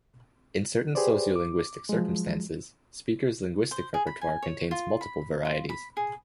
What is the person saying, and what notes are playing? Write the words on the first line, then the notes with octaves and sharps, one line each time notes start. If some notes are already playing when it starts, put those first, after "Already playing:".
In certain sociolinguistic circumstances, speakers' linguistic repertoire contains multiple varieties.
G4 G#4 B4 C5 D5
D6
F3 F#3 G#3
C5
G#4
B5
G#5
C#5
F4
B5
F4
B5
G#4